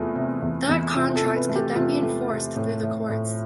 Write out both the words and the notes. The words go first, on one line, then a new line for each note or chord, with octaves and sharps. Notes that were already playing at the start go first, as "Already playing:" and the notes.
That contract could then be enforced through the courts.
Already playing: E2 C3 A3 E4 F4
C3
E2
E2
C3 F4
A4
C3
B4
A3
G4
C3 F4
A3
C3
A2
A2
A2